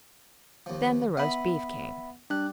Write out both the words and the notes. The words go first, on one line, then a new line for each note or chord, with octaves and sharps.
Then the roast beef came.
D#2 F3
B3 E5 B5
G3 D4 F#6